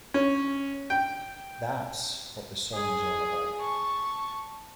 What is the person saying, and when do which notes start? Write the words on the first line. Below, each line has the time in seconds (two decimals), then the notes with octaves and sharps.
That's what the song is all about.
0.14 C#4
0.90 G5
2.74 G#4 G#5
3.61 A5 C#6